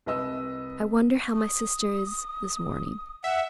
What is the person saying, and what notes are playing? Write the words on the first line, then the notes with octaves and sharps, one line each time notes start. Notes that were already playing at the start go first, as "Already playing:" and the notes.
'I wonder how my sister is this morning.'
C2 B4 D#5 E6
D#6
E5 F#5